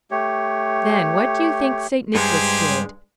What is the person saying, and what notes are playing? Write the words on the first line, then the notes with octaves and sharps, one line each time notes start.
Then what do you think St. Nicholas did?
A3 G4 C#5
G2 G#3 G4 G#4 C5